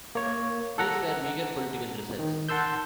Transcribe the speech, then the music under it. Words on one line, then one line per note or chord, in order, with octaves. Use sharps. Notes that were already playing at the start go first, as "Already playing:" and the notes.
These were meagre political results.
A#3 C#5
A4 F#5 A#5
D#3
F#5 A5 C6 E6 G6